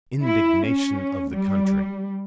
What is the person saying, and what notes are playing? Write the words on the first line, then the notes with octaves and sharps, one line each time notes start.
Indignation of the country....
E4
C#4
G3